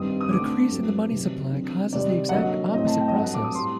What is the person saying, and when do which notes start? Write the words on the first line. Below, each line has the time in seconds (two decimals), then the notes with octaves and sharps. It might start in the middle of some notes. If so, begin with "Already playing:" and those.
A decrease in the money supply causes the exact opposite process.
Already playing: G2 D#3 G3 C4 D#6
0.21 D#6
0.31 D3 A3 C4 D6
0.71 G2 F#3 A3 C4
1.11 C3 D#3 F#3 C4
1.52 D3 F#3 C4
1.93 C3 D#3 G3 C4 D5
2.29 F#5
2.33 D3 F#3 A#3 D#5
2.73 A2 A3 C4 D#5
2.87 A5
3.01 G5
3.08 D#5
3.14 G2 F#3 A3 C4 F#5
3.24 A5
3.34 D6
3.44 D#6
3.54 A2 G3 C4 C6